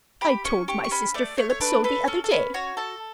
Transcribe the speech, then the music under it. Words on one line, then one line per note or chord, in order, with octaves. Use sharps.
I told my sister Phillips so the other day.
G4 B5
C#4 C#6
G4 C#6
C#6
C#4 B5
A3 D5
A3 C#5
C#5
D4 B4
A4 B4
C#4 A4
A4
C#4 B4
F#4 C#5
A4 A5